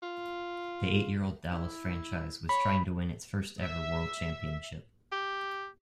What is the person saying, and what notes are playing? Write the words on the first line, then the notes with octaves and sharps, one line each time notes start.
The eight-year-old Dallas franchise was trying to win its first ever world championship.
F4
E4
C#5 B5
E5
G4